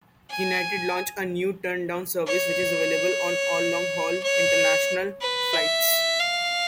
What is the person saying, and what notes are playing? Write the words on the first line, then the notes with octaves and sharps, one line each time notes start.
United launched a new turn-down service which is available on all long-haul international flights.
G#5
C#5
C#5
B4
E5
F5